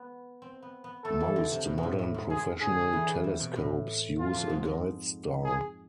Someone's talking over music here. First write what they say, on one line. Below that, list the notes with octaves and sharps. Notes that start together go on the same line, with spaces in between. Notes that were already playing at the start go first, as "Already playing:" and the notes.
Most modern professional telescopes use a guide star.
Already playing: B3
C4
B3
B3
A3 A4
E3
D3
C3
B2
G#2
A2
A2
G#2
G#2 G#4
D3 G#4
E3
E3
C3
B2
A2
F4
F2
G#2
G#2
G#4